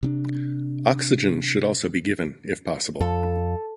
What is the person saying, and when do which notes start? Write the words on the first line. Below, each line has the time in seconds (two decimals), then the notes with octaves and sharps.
Oxygen should also be given if possible.
0.03 C3 C4 D4
3.00 F2 A4